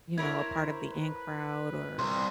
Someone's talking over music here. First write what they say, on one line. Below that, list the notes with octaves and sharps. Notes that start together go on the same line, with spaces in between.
you know, a part of the in crowd, or
E4 A#4 C5 C#5 G#6
B4
C2 C6